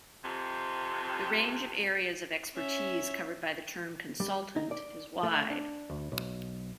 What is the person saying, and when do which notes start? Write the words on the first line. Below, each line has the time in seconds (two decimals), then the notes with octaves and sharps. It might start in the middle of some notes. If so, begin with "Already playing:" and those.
The range of areas of expertise covered by the term "consultant" is wide.
0.23 F2 C3
2.54 C#4 E5
4.20 G3
4.56 D#4
4.71 D5
5.23 A3
5.50 D4
5.90 D2
6.12 B1